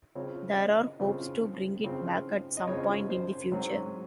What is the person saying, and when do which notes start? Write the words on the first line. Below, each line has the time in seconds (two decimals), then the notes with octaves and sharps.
There are hopes to bring it back at some point in the future.
0.15 C#3 F3 C4 C#5
0.57 D#5
1.00 C#3 F3 C4
1.84 C#3 F3 C4
2.57 D#5
2.67 C#3 F3 C4 C#5
3.10 C5
3.52 G#2 F#3 C4 C#4